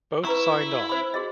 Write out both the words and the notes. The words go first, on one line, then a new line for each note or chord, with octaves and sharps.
Both signed on.
E4 B4 A#5 C#6
C5 B5
F#4 G#4 D#5